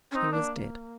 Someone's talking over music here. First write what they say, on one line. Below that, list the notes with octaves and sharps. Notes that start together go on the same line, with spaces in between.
He was dead!
C#4
C4 D#4
A#3 D4